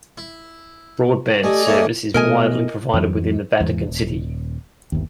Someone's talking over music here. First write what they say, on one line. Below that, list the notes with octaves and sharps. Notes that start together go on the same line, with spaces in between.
Broadband service is widely provided within Vatican City.
E4
A3 G4 D5 D#5 G#5
A3 A#3 C#5 E5
B2 A3 A#4 D#5 G#5
F2 E3 F#3
E2 G#2
D#1
G1 D#2